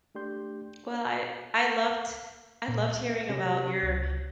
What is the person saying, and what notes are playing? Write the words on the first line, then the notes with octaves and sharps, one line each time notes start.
Well, I I loved I loved hearing about your,
A3 D4 G4 D5 C6 G6
A#2
C3 C#4 G4 A#6
C#2